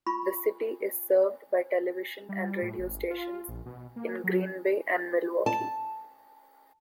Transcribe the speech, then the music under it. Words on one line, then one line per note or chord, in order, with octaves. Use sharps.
The city is served by television and radio stations in Green Bay and Milwaukee.
F4 B5 C#6
G3
A2
G#1
F4
A#1
B2
A#3
F#3
A5